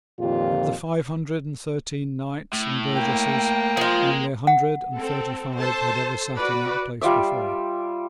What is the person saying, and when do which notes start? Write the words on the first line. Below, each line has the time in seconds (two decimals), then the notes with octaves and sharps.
Of the five hundred and thirteen knights and burgesses only a hundred and thirty-five had ever sate in that place before.
0.19 F2 A#2 D#3 F4 G4
2.53 A2
2.95 A#3 G5
3.77 F3 F4 G#4 C6
4.47 F#5
4.97 C4 A4
5.58 A4 C5 A5
6.36 F#4 B4 D5
7.01 G3 F4 D5 E5